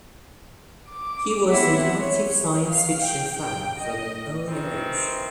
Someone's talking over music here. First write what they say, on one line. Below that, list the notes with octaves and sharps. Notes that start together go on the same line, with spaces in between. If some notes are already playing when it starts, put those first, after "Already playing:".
He was an active science fiction fan from an early age.
D6
B3 C4 E4 E5 F#5
C#5
F5
G5
G5
D#5
D#3 E3 C4